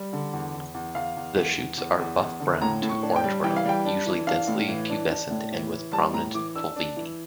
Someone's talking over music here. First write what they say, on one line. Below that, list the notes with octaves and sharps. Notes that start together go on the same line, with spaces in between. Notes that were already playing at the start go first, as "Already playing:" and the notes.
The shoots are buff-brown to orange-brown, usually densely pubescent, and with prominent pulvini.
Already playing: G3
D3
E2
E2
E2
E2 F5
E2
E2
E2
E2
E2
E2
D3
A2 A#5
A2
C#6
D4
G5
G3
E3 G5
F5
G3 G5
D4
E3
D4 F5
A2
E3
D4
D4
A2
E3
E3
G3 A5
A2 A#5
E3 D6
D4 E6
D4
E3